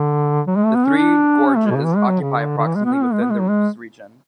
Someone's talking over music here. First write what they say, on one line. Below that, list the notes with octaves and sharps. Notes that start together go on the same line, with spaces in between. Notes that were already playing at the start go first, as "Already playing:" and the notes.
The Three Gorges occupy approximately within this region.
Already playing: D3
F#3
G#3
A3
B3
C#4
D4
C#4
A3
G#3
B2
C#3
E3
G#3
F#3
C#3
D3
D3
E3
G#3
B3
C#4
B3
G#3
B3
G#3
F#3
G#3